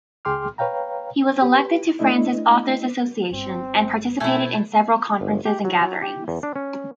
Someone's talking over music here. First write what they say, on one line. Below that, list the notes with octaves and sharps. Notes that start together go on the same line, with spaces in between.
He was elected to France's Authors' Association, and participated in several conferences and gatherings.
C#2 G#4 G5 C6 D6 F6
B4 C#5 F5 G5 A#5
G4 B4
A3 D4 E4 D#5
G1 G2 C4
B2 A3 E4 A4 E5 G#5 A5
G1
G4
F#3
F#3
G4
E2
D4
C#4